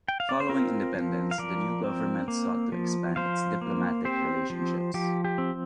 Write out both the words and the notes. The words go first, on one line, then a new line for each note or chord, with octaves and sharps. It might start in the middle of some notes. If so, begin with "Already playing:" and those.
Following independence, the new government sought to expand its diplomatic relationships.
G5
F5
D5
C5
C4 F4 A#4
F3
F5
F3 A#4 D5
C4
A#3
F3
F3 C5 F5
A#3
C4 G4 C5
F3
F3 G4
G4
C4